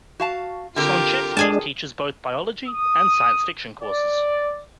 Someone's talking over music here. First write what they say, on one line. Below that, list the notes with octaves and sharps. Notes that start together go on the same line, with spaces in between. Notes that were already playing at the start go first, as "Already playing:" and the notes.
Slonczewski teaches both biology and science fiction courses.
F#4 F5 A5
D3 C4 F4 G4 A#4
G#3 D4 G#4 G#5 A5
D#6
D5